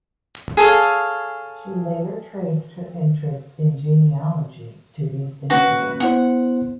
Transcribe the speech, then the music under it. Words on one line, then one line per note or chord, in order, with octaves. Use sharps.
She later traced her interest in genealogy to these incidents.
G#4 A4 C#5 F5
A#3 C#4 F#4 B4
B3 E4 C5 F#5